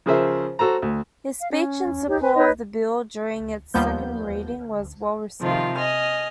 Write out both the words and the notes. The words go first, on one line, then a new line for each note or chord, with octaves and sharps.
His speech in support of the bill during its second reading was well received.
C#3 F3 G#4 A#4 C5 E5
F#4 A4 C5 A#5
D2
F5
C#4
D#4 G4 C#5
B4 G#5
D#4 B4 C#5 D#5
D#2 F3 G3 A#3 B3 G6
C3 D#3 F3 F4
D#5 G#5 F6